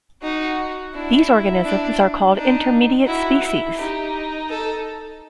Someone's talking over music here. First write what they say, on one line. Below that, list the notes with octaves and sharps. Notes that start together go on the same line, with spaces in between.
These organisms are called intermediate species.
D#4 F#4
D4 E4
D4
D4 D#4
E4 F#4
E4
D#4 G4
A4